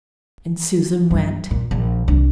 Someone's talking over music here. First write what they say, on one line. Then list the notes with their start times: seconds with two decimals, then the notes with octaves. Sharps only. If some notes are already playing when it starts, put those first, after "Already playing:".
And Susan went.
1.11 G2
1.51 A#2
1.71 A#1
2.08 C2 D4